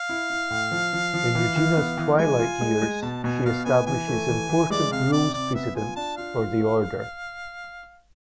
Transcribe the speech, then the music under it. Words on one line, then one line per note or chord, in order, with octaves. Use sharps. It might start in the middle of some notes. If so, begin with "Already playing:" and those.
In Regina's twilight years, she establishes important rules precedents for the Order.
Already playing: F5
E4
E4
A2
F3
F3
F3
E3
E3
B3
E3
G#3 G#5
F4
G#3
G#3
B2 A5
B2 G#5
B2 F5
B3 G#5
E3 G#5
A3
E3
E3
G#3 D5
C3 F5
C3 D5
C3 D5
B3 E5
F4 G#5
D4 A5
F4 F5
F4
A3